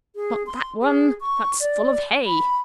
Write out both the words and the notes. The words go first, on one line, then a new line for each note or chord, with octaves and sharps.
Not that one--that's full of hay!'
G#4
C6
G#4
C#6
D5
B5